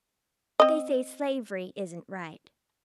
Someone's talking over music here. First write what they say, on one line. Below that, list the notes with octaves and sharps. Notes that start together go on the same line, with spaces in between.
"They say slavery isn't right."
C4 D#5